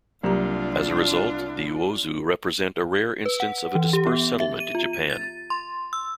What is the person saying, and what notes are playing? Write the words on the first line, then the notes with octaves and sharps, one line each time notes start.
As result, the Uozu represent a rare instance of a Dispersed settlement in Japan.
C2 F#3 A#3 D4 F4 G4 A#5
B4
F#5
E3
G4
B3
E5
D#7
F4
D#7
A6
C6
E6